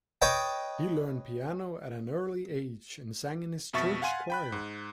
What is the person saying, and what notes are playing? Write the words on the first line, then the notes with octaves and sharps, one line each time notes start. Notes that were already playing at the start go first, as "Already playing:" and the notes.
He learned piano at an early age and sang in his church choir.
B4 C#5 D#5 G5 A5
F2 B2 E5 C#6 A6 B6
F5 F#5 G#5 C6 D#7
G5 B5 F#6
G#2